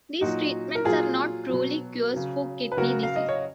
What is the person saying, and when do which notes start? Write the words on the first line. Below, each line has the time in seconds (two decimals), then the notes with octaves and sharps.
These treatments are not truly cures for kidney disease.
0.21 A#2 F#3 D#4 F#4
0.75 A#4
0.85 A#2 F#3 F4 G#4
1.49 B2 F#3
2.14 C#3 F#3
2.72 B4
2.77 C#3 F#3 F#4 A#4
3.03 F5
3.16 D#5
3.29 C#5